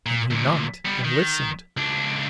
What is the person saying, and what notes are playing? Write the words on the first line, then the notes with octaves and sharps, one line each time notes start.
And he knocked and listened.
A#2
D2 A#2
G3 B3
D#3
C#2 D4